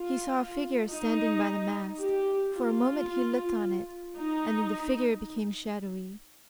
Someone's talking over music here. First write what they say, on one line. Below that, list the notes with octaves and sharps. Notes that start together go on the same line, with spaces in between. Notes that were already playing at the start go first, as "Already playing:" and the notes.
He saw a figure standing by the mast; for a moment he looked on it, and then the figure became shadowy.
Already playing: F4
D#4
G4
F4
D#4